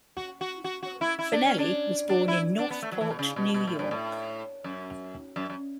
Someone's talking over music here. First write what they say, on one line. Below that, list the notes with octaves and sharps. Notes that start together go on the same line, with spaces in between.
Fanelli was born in Northport, New York.
F#4
F#4
F#4
F#4
E4
E4
D4
C#4
D4
D4
E4
D4
B3
A3
F#3
E3
B2
C#3
B2
B2
A2
G2
A2
F#2
F#2
F#2